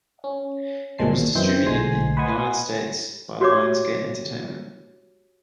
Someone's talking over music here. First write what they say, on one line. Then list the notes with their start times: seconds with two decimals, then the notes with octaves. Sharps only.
It was distributed in the United States by Lions Gate Entertainment.
0.24 C#4
0.98 G1 A#2 G#3 C5 A5 C7
1.13 D#2 A#2
1.35 F#2 D#3 E3 C4 C5 G6
1.66 B1 D3 G#3 C5 G#5 C7
2.17 B4 C5 D#5 F#5 G#5
3.41 F#4 G4 C#5 D5 D6